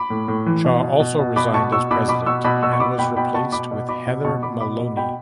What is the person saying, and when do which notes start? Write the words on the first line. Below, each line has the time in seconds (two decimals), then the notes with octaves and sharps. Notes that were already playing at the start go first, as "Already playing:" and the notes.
Shaw also resigned as president and was replaced with Heather Maloney.
Already playing: B5 D6
0.10 A2
0.28 A2
0.46 E3
0.65 B2
0.82 B2
1.00 B2
1.19 B2
1.36 B2 B5 D6
1.54 B2 A5 C#6
1.72 B2 C#6 E6
1.91 B2 B5 D6
2.08 B2 B5 D6
2.26 B2 C#6 E6
2.44 B2 B5 D6
2.62 B2 C#6 E6
2.73 C#6
2.80 B2 B5 D6
2.98 B2 G5 B5
3.17 B2 G5 B5
3.34 B2 A5 C#6
3.52 B2 B5 D6
3.71 B2
3.88 B2 B5 D6
4.07 B2
4.25 B2 A5 C#6
4.43 B2 B5 D6
4.60 B2 B5 D6
4.79 B2
4.96 B2 G5 B5